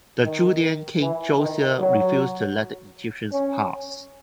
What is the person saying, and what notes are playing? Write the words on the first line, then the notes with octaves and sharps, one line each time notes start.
The Judaean king Josiah refused to let the Egyptians pass.
D#3
E3
D#3
F#3
C#4